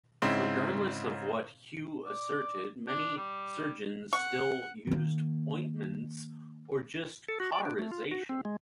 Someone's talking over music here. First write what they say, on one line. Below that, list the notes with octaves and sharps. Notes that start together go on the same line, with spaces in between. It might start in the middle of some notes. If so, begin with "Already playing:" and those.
Regardless of what Hugh asserted, many surgeons still used ointments, or just cauterisation.
G#2 C#3 C4 D#4 E4
D5
D4
G3
F#5 C#6
D#3 A#3
A4
F#4
D5
D4
A3
F4
F#4
C4
G#3